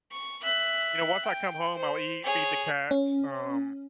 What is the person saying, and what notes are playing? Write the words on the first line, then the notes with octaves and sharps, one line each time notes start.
you know, once I come home, I'll eat, feed the cats, um,
C#6
E5 F#6
G5
C5
G#4 C#5
C#4